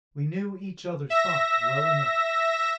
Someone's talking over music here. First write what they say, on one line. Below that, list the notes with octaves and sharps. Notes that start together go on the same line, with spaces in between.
We knew each others thoughts well enough.
E5 A#6